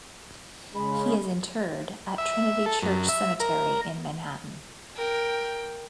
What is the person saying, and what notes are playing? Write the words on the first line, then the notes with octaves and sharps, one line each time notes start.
He is interred at Trinity Church Cemetery in Manhattan.
C#3 G#3 B5
E5
A4
F#2
E5
A#4
A#4 G5